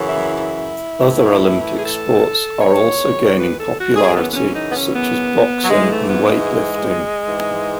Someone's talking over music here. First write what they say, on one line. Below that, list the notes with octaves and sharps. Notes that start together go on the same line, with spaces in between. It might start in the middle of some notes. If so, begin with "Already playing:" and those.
Other Olympic sports are also gaining popularity, such as boxing and weightlifting.
Already playing: F#2 C#3 E3
E4
A2 E3
G#4
A4
E2 D#3 C#5
B4
A4
F#4
G#4
F#2 C#3 E3 B3
B3
C#4
D#4
B3
C#4
B3
F#3
G#2 E3 G#3
A3
B3
G#3
G#2 E3